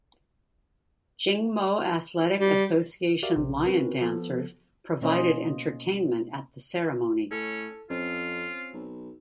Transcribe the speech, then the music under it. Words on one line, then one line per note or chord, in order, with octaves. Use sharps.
Jing Mo Athletic Association lion dancers provided entertainment at the ceremony.
G3
F#4 G4 A#4 D5 E5 F5
A#1 C3
C4 C#4 F#4 A#4 B4
F3 B3 A4
B2 A#3 C#4 C5 D#5
A2 C#4 A4
F2 C4 C#4 F4
B1